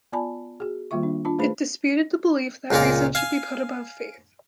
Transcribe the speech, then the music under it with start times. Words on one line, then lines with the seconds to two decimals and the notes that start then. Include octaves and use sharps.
It disputed the belief that reason should be put above faith.
0.12 B3 F4 D5 G#5 A5 B5
0.60 F#4 G#4
0.91 D#3 G3 A#3 F4 E5 C#6
1.03 D4
1.25 D4 F4 A5
1.39 A3 G#4 B4 C5 B5
2.71 C#2 A#2 A#3 F4 A#4
3.15 F5 G#5